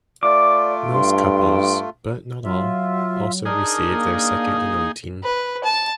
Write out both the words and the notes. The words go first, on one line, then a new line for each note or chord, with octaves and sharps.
Most couples, but not all, also received their Second Anointing.
A3 F4 D5 D6
G2 C6
F#3 F4 E5
D4 D#4 G#4 A#4
A#3
B4
A5